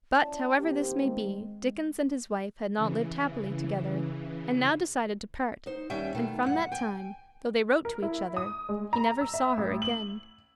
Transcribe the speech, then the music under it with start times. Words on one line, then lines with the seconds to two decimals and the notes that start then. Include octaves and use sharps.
But, however this may be, Dickens and his wife had not lived happily together, and now decided to part, and from that time, though they wrote to each other, he never saw her again.
0.18 C#4 E4 D5 A5
0.58 D#3 A#3 C4 G4
1.03 G#3
2.77 C#3 E3
5.66 D#4 C5
5.90 D#2 G3 C#4 E5 G5
6.15 B2 D#3 A3
6.43 E2 G2 F#5
6.72 G5 G#5
7.85 A#4
8.02 E4
8.37 D#6
8.69 G#3
8.93 A#5
9.21 E6
9.34 E5
9.57 A1
9.82 F#7